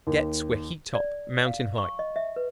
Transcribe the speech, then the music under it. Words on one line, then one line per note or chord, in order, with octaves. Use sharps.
Debts were heaped up mountain-high.
D#2
D5
F5
C#6
D#5
E5
B4